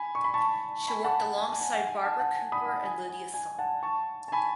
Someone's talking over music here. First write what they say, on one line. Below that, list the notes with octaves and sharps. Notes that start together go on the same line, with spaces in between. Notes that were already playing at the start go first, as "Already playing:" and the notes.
She worked alongside Barbara Cooper and Lydia Sohn.
Already playing: G#5 B5
C#6
B5
A5 C#6
G#5 B5
F#5 A5
F#5
G#5
G#5
G#5
F#5
G#5
F#5 A5
F#5 A5
G#5
B5 D#6
F#5
G#5
G#5
G#5
F#5 A5
A5 C#6
A5
G#5 B5